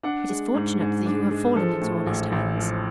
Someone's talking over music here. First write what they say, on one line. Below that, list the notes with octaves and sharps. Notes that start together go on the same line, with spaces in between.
It is fortunate that you have fallen into honest hands.
D4 F#5
G#3
G#2
G#2
D4
G#3
F3 A4
A2
A1
A1
F3